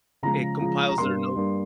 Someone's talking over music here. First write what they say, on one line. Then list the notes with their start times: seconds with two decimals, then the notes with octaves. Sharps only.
it compiles their notes
0.23 C#3 F3 G#3 A#5
0.60 C#3 F3 G#3
0.89 A#5
0.98 G2 G3 A#3 C6
1.35 G2 G3 A#3